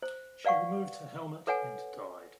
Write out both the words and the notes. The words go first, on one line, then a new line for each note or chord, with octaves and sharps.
She removed her helmet and died.
C5
B4 D5 F5 F#5 C#6
A4 B4 C#5 F#5 G#5